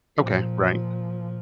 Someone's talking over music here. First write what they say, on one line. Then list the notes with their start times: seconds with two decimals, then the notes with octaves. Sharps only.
Okay. Right.
0.17 A#2 F3